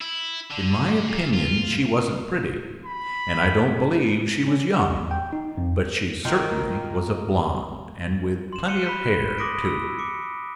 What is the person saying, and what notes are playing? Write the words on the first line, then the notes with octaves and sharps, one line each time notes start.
"In my opinion she wasn't pretty, and I don't believe she was young, but she certainly was a blonde, and with plenty of hair too."
E4
D3
A#2
F4
B5
C#4
F#5
E2
G5
D#4
F2
D#3 A#3 F4
C6 E7
F#6 C#7 D#7 G7
B5 B6
C6 D6 D#6 A#6 B6 D7
B5 E6
D6 C#7